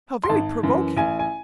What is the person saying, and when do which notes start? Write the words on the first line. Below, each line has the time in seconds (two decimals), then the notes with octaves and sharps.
How very provoking!
0.24 C6
0.29 G#1 A5
0.63 F#2 E3
0.96 A1 G#5
1.19 G#5